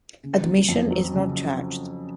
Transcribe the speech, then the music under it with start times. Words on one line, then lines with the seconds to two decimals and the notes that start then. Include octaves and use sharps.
Admission is not charged.
0.24 C#3
0.45 F#3
0.69 F2
0.91 F#3
1.14 C#3